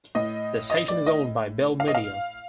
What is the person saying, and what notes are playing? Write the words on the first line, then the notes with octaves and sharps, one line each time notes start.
The station is owned by Bell Media.
A2 D#5
D#5
D5
D#5
F5
D#5
F5